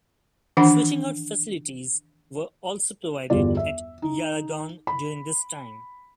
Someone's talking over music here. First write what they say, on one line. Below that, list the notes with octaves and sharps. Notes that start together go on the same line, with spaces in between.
Switching out facilities were also provided at Yarragon during this time.
D#3 E3 D4 F#5 B5
G1 E2 G3 F4 D5
E5
D#4
B5